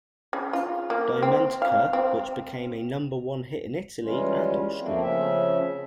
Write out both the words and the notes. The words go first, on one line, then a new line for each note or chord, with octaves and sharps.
Dimentica, which became a number-one hit in Italy and Austria.
C#3
F4
A#3
C4
F5
C4
E3 G3 G#3 C#4 F4
F3 A3 A#3 C4
C#3 F3 C#4 E5